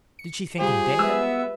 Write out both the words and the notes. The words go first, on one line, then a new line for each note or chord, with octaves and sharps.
Did she think him dead?
C#7
G3 F4 G4 G#4 C5
G#3 B3 B4 E5 E6